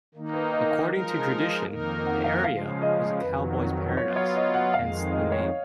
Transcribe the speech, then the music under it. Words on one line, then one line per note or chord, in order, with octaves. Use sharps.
According to tradition, the area was a cowboy's "paradise", hence the name.
D#3 A#3 D#4
B4
D#5
F5
F3 G#3 D#4 A#4
F2 D#3 A#3 D#4 A#4
F#5
F5
C#3 F3 G#3 F5
D#5
F2 D#3 F#3 B4
F#3 B3 F4 C#5
C#5
D#5
F#5
F2 D#3 G#3 F5
D#5
C#5